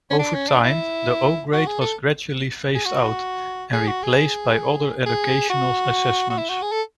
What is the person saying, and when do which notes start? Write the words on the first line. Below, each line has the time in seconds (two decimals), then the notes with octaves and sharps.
Over time, the O-Grade was gradually phased out and replaced by other educational assessments.
0.10 C#4
0.19 D4
0.34 C#4
0.49 D4
0.63 E4
1.53 F#4
1.66 G#4
1.81 A4
2.75 G#4
2.85 F#4
3.73 G#4
3.87 F#4
4.03 G#4
5.06 G#4
5.50 F#4
6.30 F#4
6.38 E4
6.49 F#4
6.62 G#4
6.72 A4